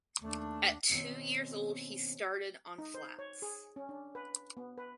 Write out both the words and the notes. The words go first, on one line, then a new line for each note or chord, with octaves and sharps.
At two years old he started on Flats.
D#2 A3 D4
B2 D#3 C4 C#4
D#4
C5
C#5
G#4
C#4
D4
B4
B3
B4